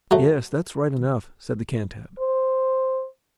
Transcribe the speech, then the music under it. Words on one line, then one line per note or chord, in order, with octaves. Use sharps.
"Yes, that's right enough," said the Cantab.
F#3 A3
C5